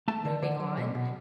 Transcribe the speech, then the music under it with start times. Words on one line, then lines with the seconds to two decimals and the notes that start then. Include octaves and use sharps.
moving on.
0.08 A3 A5
0.25 D3
0.42 D3
0.60 F#3
0.77 B2
0.95 B2